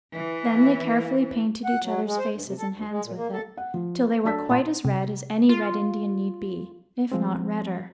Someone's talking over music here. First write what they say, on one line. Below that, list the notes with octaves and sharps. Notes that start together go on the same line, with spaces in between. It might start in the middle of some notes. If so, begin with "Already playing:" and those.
Then they carefully painted each other's faces and hands with it, till they were quite as red as any Red Indian need be - if not redder.
E3
F#5
F#3
G#3
C5
G2
C3
A4
D2
G#3
A#2
A#3
A4
F#5
F3
B4
F#3 D4 A4 A5 E6 B6
A#2 E5 A5 C6
C3
F4
F3 G#3 C4